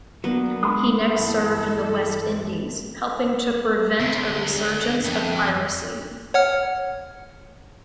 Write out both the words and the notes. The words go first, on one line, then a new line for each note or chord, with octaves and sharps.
He next served in the West Indies, helping to prevent a resurgence of piracy.
F#3 A#3 B3 D4
G#3 B5 C6 D#6
G2 E3 A4
D2
F2
C#5 F#5 F6